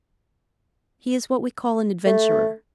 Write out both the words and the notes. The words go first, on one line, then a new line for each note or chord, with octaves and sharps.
He is what we call an adventurer.
A3